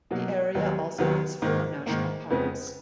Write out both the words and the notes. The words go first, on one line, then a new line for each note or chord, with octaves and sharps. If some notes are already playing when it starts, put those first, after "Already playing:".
The area also has four national parks.
B2 F#3 A#3
D#2 D#3 F#3 B3
D#2 D#3 F#3 B3
G#2 D#3 A#3
G#2 D#3 A#3
F2 C#3 G#3 B3